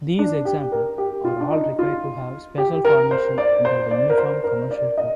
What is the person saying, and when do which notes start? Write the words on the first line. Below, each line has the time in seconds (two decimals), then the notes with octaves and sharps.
These example are all required to have special formation under the Uniform Commercial Code.
0.19 D4
0.45 G4
0.72 A#4
0.98 G4
1.25 F4
1.40 D4
1.52 D#4
1.79 F4
2.58 G4
2.85 A#4
3.11 C5
3.38 D5
3.65 C5
3.91 D5
4.09 A#4
4.18 C5
4.44 A#4
4.71 D5
4.97 D#5